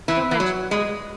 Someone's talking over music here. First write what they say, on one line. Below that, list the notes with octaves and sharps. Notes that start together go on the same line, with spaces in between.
Don't mention it.
E3
E3
F#3
G#3